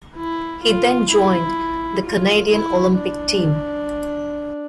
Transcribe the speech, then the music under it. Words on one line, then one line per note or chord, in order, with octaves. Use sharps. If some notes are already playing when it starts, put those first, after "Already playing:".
He then joined the Canadian Olympic team.
E4
F4
E4
F4
E4
D4